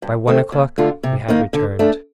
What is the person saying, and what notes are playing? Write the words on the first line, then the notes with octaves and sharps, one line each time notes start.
By one o'clock we had returned.
G2
D#3 A3 C4
D#2
D3 A3 D4 F4
C3
D#3 A#3 D#4
D3
A3 D4